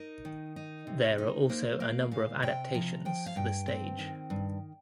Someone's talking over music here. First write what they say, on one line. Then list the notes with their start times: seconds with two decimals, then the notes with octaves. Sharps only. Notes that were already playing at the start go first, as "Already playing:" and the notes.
There are also a number of adaptations for the stage.
Already playing: D#4 A#4
0.25 D#3
0.56 D#4
0.87 C3
1.18 D#4
1.49 A#3 C5
1.80 A#3 F5
2.11 A#2 F5
2.43 C3 G5
2.74 F3 A#5
3.05 F3 G5
3.26 F5
3.36 G2 G5
3.68 C4
3.99 D#3
4.30 G2